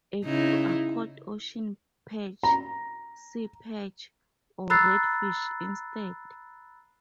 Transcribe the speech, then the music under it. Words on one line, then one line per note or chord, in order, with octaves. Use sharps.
A few are called ocean perch, sea perch or redfish instead.
C#3 D#4 E4
A#5
A#5 B5 E6 F#6 A6 C7